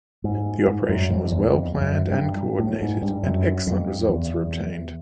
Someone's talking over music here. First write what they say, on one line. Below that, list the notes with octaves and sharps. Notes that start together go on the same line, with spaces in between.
The operation was well-planned and coordinated, and excellent results were obtained.
G#2
G#2
F#2
F2
E2
F2
F2
F#2
G2
A2
G#2
G2
F#2
F2
E2